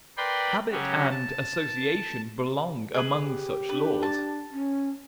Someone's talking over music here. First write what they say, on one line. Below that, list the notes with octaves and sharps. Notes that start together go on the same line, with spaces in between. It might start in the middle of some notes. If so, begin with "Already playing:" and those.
Habit and association belong among such laws.
A#4 B4 D5 G5 B5 C6
C#3 F#3 C#4 F#4 G4
A5
G#4 A4 B4
G4
D4 B4
A5
C#4